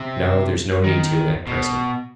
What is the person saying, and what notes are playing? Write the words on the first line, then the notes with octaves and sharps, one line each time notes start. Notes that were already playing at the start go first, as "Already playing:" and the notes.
"No, there's no need to, at present."
Already playing: C3
D#3
B2